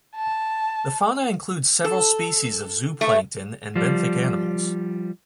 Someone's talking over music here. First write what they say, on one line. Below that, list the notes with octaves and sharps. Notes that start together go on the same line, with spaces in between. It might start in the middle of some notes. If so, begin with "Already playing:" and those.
The fauna includes several species of zooplankton and benthic animals.
A5
A4
A3
F3 G3